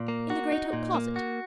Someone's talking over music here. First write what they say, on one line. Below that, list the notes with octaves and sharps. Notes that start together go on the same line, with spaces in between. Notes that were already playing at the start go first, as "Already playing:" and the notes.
"In the great oak closet."
Already playing: A#2
A#3
F#4
D#4
A#2
A#3
F#4